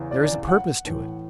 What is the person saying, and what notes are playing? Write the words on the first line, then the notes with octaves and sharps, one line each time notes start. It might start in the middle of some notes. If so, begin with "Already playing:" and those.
There is a purpose to it.
Already playing: E2 C#3 E3
D5
D5
F#5
A2 E3